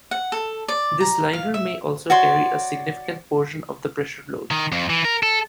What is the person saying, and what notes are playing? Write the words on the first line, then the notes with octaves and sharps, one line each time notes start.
This liner may also carry a significant portion of the pressure load.
F#5
A4
D5
A#5
F5
E5
F#4 C#5 D5 C6
D#3
F2
E3
A#4
A4